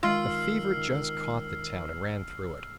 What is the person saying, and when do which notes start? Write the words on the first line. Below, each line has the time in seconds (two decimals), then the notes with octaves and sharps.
The fever just caught the town and ran through it!
0.03 D#3 G#3 F4 E6 F6 C7